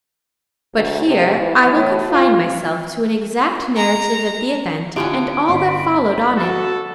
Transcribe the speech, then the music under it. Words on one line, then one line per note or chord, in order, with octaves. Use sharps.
But here I will confine myself to an exact narrative of the event and all that followed on it.
D2
C3
E3
A2
F4
A#5
D3 B3 C#4 E4 F4 G4 D7
G1 B5 C6
F#4 A4